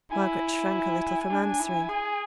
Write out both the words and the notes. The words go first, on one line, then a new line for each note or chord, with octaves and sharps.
Margaret shrank a little from answering.
E4 G#5
D4
E4
G#4